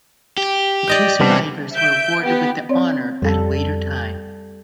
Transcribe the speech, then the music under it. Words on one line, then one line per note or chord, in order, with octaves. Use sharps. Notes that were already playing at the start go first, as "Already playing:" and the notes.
The two survivors were awarded with the honour at a later time.
G4
D5 D#5 G5
C3 G3 B3 C4 D4
E5 G6 D7
B3 G4
C4 C#5 D5
F2 G3 A4